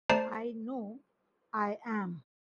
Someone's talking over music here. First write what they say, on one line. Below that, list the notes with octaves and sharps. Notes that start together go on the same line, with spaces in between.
I know I am.
A3 C5 D5 A5 A#5 C7